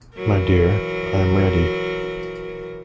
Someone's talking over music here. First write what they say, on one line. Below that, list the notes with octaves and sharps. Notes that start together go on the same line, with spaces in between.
My dear, I am ready!
E3 F#3 A#4